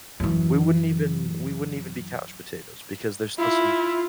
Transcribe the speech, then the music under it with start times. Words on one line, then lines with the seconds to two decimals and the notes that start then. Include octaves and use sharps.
We wouldn't even we wouldn't even be couch potatoes because there's still some
0.20 F#2 E3
3.39 E4 F4